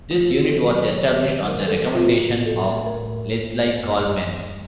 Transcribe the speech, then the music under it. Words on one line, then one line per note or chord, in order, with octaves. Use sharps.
This unit was established on the recommendation of Leslie Coleman.
A3 F4
F#4
D#3
A4
F#3
A#4
F#3 C#5
C5
D#3
C5
F#3
A#4
A3 A4
A2 F4
F#4
A2
A2 A4
A3
A#4
A2
A3
A3
F#2
F#2
F#2